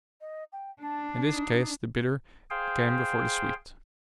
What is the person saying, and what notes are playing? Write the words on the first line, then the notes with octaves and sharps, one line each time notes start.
In this case the bitter came before the sweet.
D#5
G5
D4 A5
D#4
G#4 C5 F5 G5